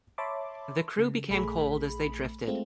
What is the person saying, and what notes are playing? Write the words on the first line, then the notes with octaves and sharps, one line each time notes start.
The crew became cold as they drifted.
C#5 E5 A5 B5 C6 D6
C#3
A#1 A3 G#4 B5
G#3 A3 C4 F4